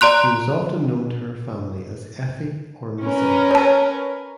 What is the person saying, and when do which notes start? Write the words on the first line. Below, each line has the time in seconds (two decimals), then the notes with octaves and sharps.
She was often known to her family as "Effie" or "Miss Ef".
0.01 D5 A#5 C6 F#6
3.04 C#4 A#4 B4
3.51 C#5 A5